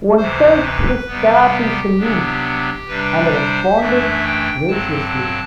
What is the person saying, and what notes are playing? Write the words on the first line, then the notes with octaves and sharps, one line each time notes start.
One touched his cap in salute, and I responded graciously.
D2 C3 E3 C5
B4
C3 G3 B3
G4
C3 F#3 B3 D4
C3 G3 D4 B4
C5
F#2 E3 A3 D4 E5
G5
G2 D3 F#3 C4 A5